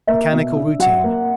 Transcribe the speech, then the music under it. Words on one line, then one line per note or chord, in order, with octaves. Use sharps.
Mechanical routine.
A#3 E5
B2
D4
F#3 F#5
A#3